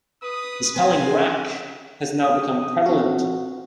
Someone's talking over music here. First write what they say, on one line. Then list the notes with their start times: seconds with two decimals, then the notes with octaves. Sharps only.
The spelling 'rack' has now become prevalent.
0.22 B4 D#6
0.76 C4 G#5
2.24 D#6
2.86 C4 F#4